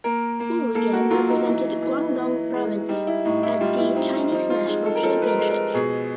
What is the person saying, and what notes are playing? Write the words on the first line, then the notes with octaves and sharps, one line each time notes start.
Ou again represented Guangdong province at the Chinese National Championships.
A#3 A#4
A#3
A#3 A4
F#4
F#3 F4
D#4
E3
E3
E3
G#3
G3 D#4
E4
A2 D#4
E4
G3 F4
E4
C4 D#4
D#4
F3 D#4
F4
G#3 D#4
A4
A#4
F3 A4
B4
A#4
G#3
A#4
B2 G#4